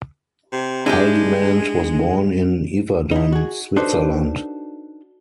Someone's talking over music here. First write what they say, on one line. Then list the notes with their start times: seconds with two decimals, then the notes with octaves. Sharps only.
Haldimand was born in Yverdon, Switzerland.
0.53 C3
0.86 G#3 D4 E4 G4
3.11 D#4 E4
3.32 F#4 G#4
3.76 D4 D#4 F#4 A4 B4 C5